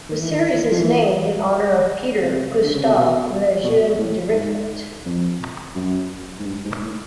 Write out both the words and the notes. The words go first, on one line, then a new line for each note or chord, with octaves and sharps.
The series is named in honor of Peter Gustav Lejeune Dirichlet.
D#3
E3
D#3
F3
E3
C3
D3
C#3
C3
B2
B2
A2
G#2
F2
F#2
G#2
G2
G#2
A2